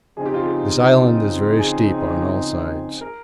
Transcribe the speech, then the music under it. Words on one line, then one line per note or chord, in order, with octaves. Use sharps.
This Island is very steep on all sides.
C#3 F3 C4 D#4 G#4
G4
F4
G4
G#4
A#4